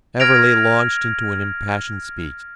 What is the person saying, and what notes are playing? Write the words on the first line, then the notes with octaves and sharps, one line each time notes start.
Everley launched into an impassioned speech.
F6 G#6 A#6 D7 F7